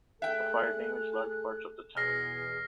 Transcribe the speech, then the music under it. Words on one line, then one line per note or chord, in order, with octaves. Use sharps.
A fire damaged large parts of the town.
A3 G#4 A4 E5 G5 F#6
E2 B2 G#4 F6 A#6 C7